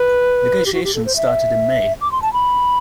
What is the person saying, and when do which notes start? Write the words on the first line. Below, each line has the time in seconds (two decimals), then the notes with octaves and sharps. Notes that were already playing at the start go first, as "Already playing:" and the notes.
Negotiations started in May.
Already playing: B4
0.66 G4
0.73 F#4
0.84 G4
0.95 A4
1.06 C5
1.16 E5
2.01 D6
2.12 C6
2.22 A5
2.33 B5